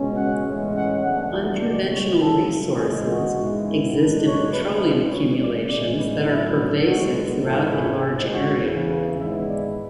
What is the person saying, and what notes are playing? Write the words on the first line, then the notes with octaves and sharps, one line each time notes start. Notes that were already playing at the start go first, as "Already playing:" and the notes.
"Unconventional resources" exist in petroleum accumulations that are pervasive throughout a large area.
Already playing: C#2 B2 G#3 C#4
F#5
A1 A2 E3 G#3 C#4
F#5
F#1 E2 B2 A3 D4 F#5
D5
C#2 B2 G#3 D5
C#5
F#1 F#2 C#3 A4
E2 C#3 G#3 G#4
F#4
G#2 G#3 B3 E4
B1 A2 G#3 D4
C#5
C#2 B2 A3 B4
B4
C#2 C#3 E3 C#5
D5
A1 A2 E3 G#3 C#4 D5
B4
A2 F#3 B3 D4 E4
B1 B2 G#3 B3 D4 F#4
G#2 E3 G#3 C#4 E4 A4
G#4
A1 G#2 G#3
F#4
E2 C#3 E3
G#1 G#2 G#3 B3 E4 E5
D5